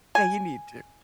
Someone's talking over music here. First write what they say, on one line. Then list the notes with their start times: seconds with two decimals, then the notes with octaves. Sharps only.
Yeah, you need to.
0.15 G#5